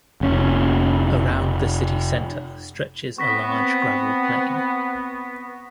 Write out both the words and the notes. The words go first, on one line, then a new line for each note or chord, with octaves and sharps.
Around the city center stretches a large gravel plain.
F1 C#4
B3 C4 C#6 A#6 B6